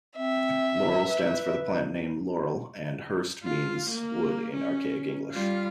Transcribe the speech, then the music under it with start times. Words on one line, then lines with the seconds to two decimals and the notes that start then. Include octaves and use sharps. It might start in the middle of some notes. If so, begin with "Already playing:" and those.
Laurel stands for the plant name Laurel and hurst means wood in archaic English.
0.17 C4 E5
1.06 B4
3.43 F4
3.90 A#3
4.54 C#4
5.32 G3 F4